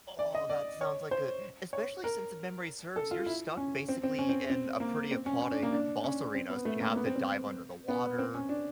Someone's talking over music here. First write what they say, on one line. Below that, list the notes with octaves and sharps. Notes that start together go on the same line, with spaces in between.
Oh, that sounds like a especially since if memory serves, you're stuck basically in a pretty aquatic boss arena, so you have to dive under the water.
D5
D#5
D5
C#5
C5
C#5
A#4
A4
F4
E4
C#4
C4
C4
C#4
C4
C4
A#3
C4
C#4
C#4
D4
A#3
D4
C#4
C4
B3
A3
A#3
B3
C4
C4
B3
C4
C#4
D4